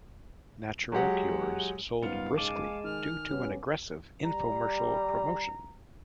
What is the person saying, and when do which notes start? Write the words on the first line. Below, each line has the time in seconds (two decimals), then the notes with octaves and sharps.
"Natural Cures" sold briskly due to an aggressive infomercial promotion.
0.92 F#3 G#3 G4 F#5
2.03 F#1 G#2 G3 B3 F4 F5 C#7
2.38 G#3 G#5 A5 D6
2.84 D#3 F6
3.30 G3 B3 C#4
4.25 G3 A#5